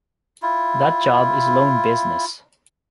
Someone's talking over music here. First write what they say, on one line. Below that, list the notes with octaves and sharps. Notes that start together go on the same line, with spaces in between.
That job is loan business.
E4 F4